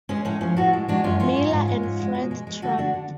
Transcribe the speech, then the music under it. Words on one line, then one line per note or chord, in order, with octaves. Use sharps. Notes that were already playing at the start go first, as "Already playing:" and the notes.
Miller and Fred Trump.
G#3 C#4
A2 C#4
F3 C#4
A2 F#4 A4
G#3
G#3 D4 F#4
F#2 C#4 F4
F#2 C#4 F4
G#2
G#2
G#3
G#2
G#3
B2
G#3
G#3
D3 F#4 A4
D3 D4 F#4
D3